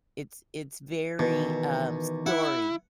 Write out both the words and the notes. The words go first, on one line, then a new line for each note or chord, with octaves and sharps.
It's it's very, um, story.
B2 D#3 E3
E4 F#5